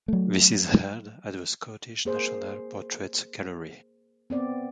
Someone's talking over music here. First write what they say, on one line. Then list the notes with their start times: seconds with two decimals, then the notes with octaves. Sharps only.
This is held at the Scottish National Portrait Gallery.
0.08 F#3 A3
2.05 A#3 G#4 C5
4.30 B3 C4 D5